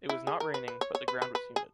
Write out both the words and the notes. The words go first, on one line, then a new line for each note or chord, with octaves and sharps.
It was not raining, but the ground was humid.
E4
G#4
A#4
B4
B4
C#5
C#5
B4
B4
B4
G#4